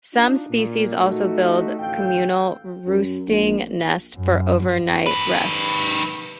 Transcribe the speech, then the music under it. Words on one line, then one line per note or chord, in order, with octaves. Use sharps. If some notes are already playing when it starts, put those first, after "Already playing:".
Some species also build communal roosting nests for overnight rest.
D4 D#4 F4
A#2
A3 D#4 F#4
A1 D2 F3 A4 F5 G5
F#2
A#1
F#2
D#3 B4